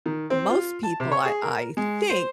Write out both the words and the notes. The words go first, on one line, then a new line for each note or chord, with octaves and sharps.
most people I I think
D#3
C4
F4
A5
C3
C#5
G#4
A#4
G#3
C5